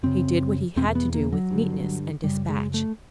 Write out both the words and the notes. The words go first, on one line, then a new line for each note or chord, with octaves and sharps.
He did what he had to do with neatness and dispatch.
F#2 C#3 C4
E2 B2 C4
A#3
B3
A#3
F#3
G2 D3
F#2 C#3 G3
G#3
A3